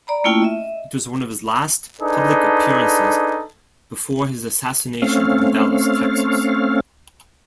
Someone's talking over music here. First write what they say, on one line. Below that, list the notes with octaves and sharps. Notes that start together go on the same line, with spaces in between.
It was one of his last public appearances before his assassination in Dallas, Texas.
D5 A#5 B5
A3 A#3 C#4 E4 F4 G5
D#5 E5
D4 D#4 G#4 A4 B4
A3 C4 C#4 F5